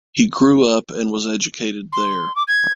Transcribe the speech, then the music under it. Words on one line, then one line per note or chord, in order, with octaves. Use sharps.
He grew up and was educated there.
C6
D6
G#6